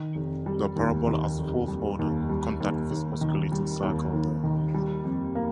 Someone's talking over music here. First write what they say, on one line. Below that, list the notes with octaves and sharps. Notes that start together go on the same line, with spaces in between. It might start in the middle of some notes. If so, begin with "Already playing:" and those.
The parabola has fourth order contact with its osculating circle there.
Already playing: D#3
F1
G3
D#2
D#3
F1
G3
D#2
G3
D#2
D#2
D#3
G3
D#2
D#2
D#3
G3
F2
A#3